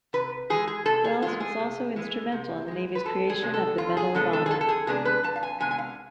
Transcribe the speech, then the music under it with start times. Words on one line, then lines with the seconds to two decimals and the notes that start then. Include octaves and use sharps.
Welles was also instrumental in the Navy's creation of the Medal of Honor.
0.13 C3 B4
0.50 E3 G#3 G#4
0.67 G#4
0.86 C3 A4
1.04 G#4
1.22 E3 G#3 F4
1.40 G#4
1.59 C3
1.96 E3 G#3
2.32 C3
2.68 E3 G#3
2.95 B4
3.04 F2 A4
3.30 G#4
3.42 C3 G#3 B3 D4
3.54 A4
3.78 F2 F4
3.97 G#4
4.14 C3 G#3 B3 D4 A4
4.33 A4
4.46 G#4
4.51 F2 A4
4.61 A4
4.69 G#4
4.87 C3 G#3 B3 D4 G#4
5.05 B4
5.23 F2 A5
5.36 F5
5.43 G#5
5.60 C3 G#3 B3 D4 G#5
5.71 G#5
5.78 F5